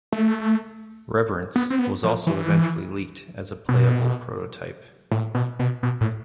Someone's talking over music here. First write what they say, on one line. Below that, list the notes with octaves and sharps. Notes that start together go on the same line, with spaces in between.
"Reverence" was also eventually leaked as a playable prototype.
A3
B3
C4
B3
F3
E3
B2
A2
B2
B2
B2
A2